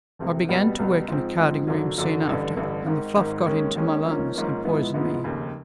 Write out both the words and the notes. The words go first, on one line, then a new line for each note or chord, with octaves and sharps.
I began to work in a carding-room soon after, and the fluff got into my lungs and poisoned me.'
E1 D2 C3
C#2 B2 G3 B3
C#2 B2 G3 B3
G#2 F3 G#3 C4
G#2 F3 G#3 C4
G#1 F#2 D3 F#3
G#1 F#2 D3 F#3
A1 G2 D3
A1 G2 D3
G#1 G#2 D#3
G#1 G#2 D#3
D#2 D#3 G#3 C#4
D#2 D#3 G#3 C#4
G#1 G#2 F3 A#3 C#4
G#1 G#2 F3 A#3 C#4
G#2 F3 G#3 B3 E4
G#2 F3 G#3 B3 E4
F1 D#2 C#3